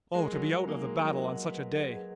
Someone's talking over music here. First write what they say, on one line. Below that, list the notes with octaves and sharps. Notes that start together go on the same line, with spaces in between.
Oh, to be out of the battle on such a day!
G#3 A#4
F#3
A#4
G#3
A#3 D#4
G#3
D#5
F#3
F#5
B4
G#4